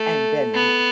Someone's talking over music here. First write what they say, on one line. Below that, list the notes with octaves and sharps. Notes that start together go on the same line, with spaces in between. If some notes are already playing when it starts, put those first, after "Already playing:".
and then, w
Already playing: A3
B3